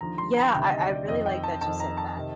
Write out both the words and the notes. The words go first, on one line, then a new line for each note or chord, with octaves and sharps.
yeah, I I really like that you said that,
D#2 D3 F3 A#5
C6
A#5
D2 C3 D#3 G5
D#5
D5
F2 D#3 D#5
G5
A5
F2 D#3 A5
A#5
A5
C3 D#3